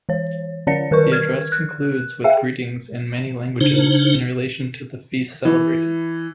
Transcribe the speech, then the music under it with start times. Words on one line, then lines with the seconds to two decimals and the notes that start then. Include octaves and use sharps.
The address concludes with greetings in many languages in relation to the feast celebrated.
0.09 E3 C#5
0.67 D3 C#4 C#5 D5 C#7
0.91 D#3 A#4 B4 C#6
1.12 F6 G#6
1.52 F#6
2.24 G#4 E5 F5 G5
3.61 C#3 D4 D#4 C5
5.45 E3